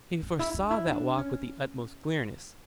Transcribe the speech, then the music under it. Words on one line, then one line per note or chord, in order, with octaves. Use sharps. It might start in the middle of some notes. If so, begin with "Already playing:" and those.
He foresaw that walk with the utmost clearness.
C#4
E4
D4
E4
D4
C#4